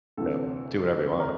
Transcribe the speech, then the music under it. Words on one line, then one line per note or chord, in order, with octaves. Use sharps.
you know, do whatever you want.
D2 C3 E3 A4
A#4